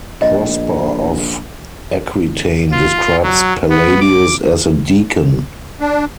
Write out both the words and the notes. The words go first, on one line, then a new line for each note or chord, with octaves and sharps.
Prosper of Aquitaine describes Palladius as a deacon.
A#1 D#5
F4
F#3
B3
D6
D4